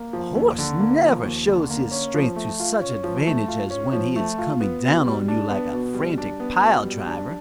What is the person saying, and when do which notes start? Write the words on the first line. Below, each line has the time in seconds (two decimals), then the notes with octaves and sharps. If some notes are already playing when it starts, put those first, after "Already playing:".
A horse never shows his strength to such advantage as when he is coming down on you like a frantic pile-driver.
Already playing: A#3
0.13 F3
0.35 D#2
0.58 D3
0.80 A#3
1.03 F3
1.25 D#2
1.48 D3
1.70 A#3
1.91 C#4
2.14 F3
2.36 A3
2.60 F4
2.81 C#4
3.04 F3
3.27 A3
3.48 F4
3.70 C#4
3.93 F3
4.16 A3
4.38 F4
4.60 B3
4.84 B2
5.05 G3
5.28 D4
5.50 B3
5.73 B2
5.94 G3
6.18 D4
6.40 B3
6.62 B2
6.84 G3
7.07 D4